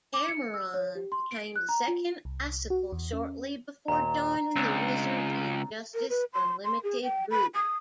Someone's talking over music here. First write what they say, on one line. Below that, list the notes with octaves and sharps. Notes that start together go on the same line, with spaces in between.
Cameron became the second Icicle shortly before joining the Wizard's Injustice Unlimited group.
D6
C#7
E6
C#5
G4
C6
D7
F#6
A#5
F4
C2
F#4
E2
C#4
D#2 A#2 A#5
C#2 C4 D4 C#5
A#4
B4
C6
C6
G#4
G5
B5
D#6